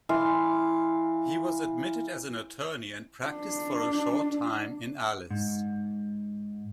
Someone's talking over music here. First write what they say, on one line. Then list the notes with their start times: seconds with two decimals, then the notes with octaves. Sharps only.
He was admitted as an attorney and practiced for a short time in Alice.
0.09 E3 F5 C6
3.26 D4
5.30 G#2